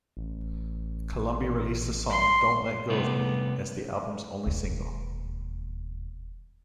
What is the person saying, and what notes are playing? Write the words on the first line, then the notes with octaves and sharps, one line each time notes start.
Columbia released the song "Don't Let Go of Me" as the album's only single.
A1
C6
C3 G3 A3 B3 D#4
E1 D#2